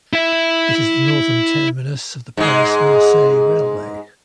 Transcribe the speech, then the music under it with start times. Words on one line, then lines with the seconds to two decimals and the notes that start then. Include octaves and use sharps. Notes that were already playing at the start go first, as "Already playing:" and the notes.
It is the northern terminus of the Paris-Marseille railway.
0.13 E4 E5
2.37 G#2 G#3